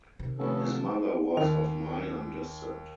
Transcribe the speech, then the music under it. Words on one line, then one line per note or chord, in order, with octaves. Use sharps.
His mother was of Mayan descent.
C3 D#3
F1 B3 C#4 A4
A5
D#2 D#3 F7